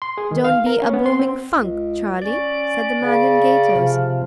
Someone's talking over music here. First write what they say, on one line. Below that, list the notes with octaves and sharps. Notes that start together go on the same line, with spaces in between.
"Don't be a bloomin' funk, Charlie," said the man in gaiters.
C6
G#4
D#3
F5
A#4
C#4
B3
C6
C4
C#2
C#4 D5
C#3
C3 F3